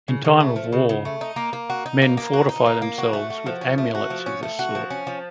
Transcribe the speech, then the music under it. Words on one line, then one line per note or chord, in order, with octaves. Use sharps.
In time of war men fortify themselves with amulets of this sort.
C#3
C#3
A3
F3
C#3
C#3
A3
D#4
A#3
A#3
F#4
D#4
A#3
A#3
F#4
D#4
A#3
A#3
F#4
A3
F#4
F3
C#4
A3
F#4
F3
C#4
A3
F#4
F3
C#4
F3